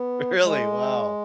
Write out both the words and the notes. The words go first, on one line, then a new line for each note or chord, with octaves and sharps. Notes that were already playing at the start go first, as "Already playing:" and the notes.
Really? Wow.
Already playing: B3
G#3